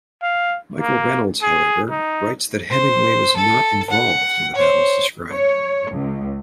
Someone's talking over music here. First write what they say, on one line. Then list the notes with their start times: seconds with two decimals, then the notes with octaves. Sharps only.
Michael Reynolds, however, writes that Hemingway was not involved in the battles described.
0.22 F5
0.80 A#3
1.42 G#4
1.90 D#4
2.70 C5
3.36 A4
3.90 F#5
4.56 C5 C#5
5.32 C#5
5.91 C#2